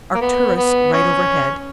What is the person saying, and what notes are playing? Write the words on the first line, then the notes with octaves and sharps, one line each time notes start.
Arcturus right overhead.
A#3
B3
B3
C#4